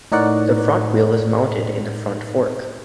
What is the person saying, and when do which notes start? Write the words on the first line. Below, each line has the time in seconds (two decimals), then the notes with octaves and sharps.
The front wheel is mounted in the front fork.
0.12 A2 D#4 A#4 C#5 D5 F#5